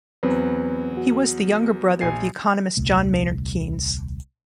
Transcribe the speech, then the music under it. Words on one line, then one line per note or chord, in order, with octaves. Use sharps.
He was the younger brother of the economist John Maynard Keynes.
E2 F#3 B3 C4 B4
B3 F#4
A#1 G#5 C7
D#1 C2 A3